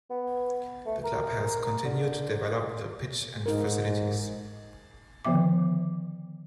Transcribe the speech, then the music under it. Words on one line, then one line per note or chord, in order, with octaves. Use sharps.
The Club has continued to develop the pitch and facilities.
B3
A3
A#4
D3
G#2 D#4 A#4
D3 D#3 F3 B3 E5 D6